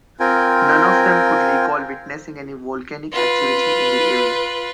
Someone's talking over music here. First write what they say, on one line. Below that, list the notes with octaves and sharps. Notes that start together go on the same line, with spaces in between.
None of them could recall witnessing any volcanic activity in the area.
C4 F4 A#4 G5 G#5
F4 B4